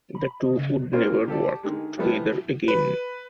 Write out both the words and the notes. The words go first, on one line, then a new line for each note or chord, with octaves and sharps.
The two would never work together again.
B5
D#5
C#3
A#3 C4 C#4 F4 A#4 C5
G4 A4 D5
D3 D#3 G#3
E3 F3 G3 A3 B3 E4
B4